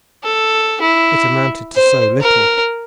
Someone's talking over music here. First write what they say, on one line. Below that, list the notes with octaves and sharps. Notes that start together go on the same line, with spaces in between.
It amounted to so little!
A4
E4
C5
A#4